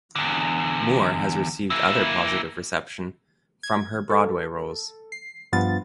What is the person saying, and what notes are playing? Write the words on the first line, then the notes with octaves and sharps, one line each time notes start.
Moore has received other positive reception from her Broadway roles.
E2 D3
A#3 E4
G#6
A4
C7
G2 F3 B3 F4 A6